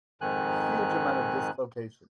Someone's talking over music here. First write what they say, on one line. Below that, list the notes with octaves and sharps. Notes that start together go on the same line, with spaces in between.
a huge amount of dislocation.
F2 G#2 D#3 G#5 F#6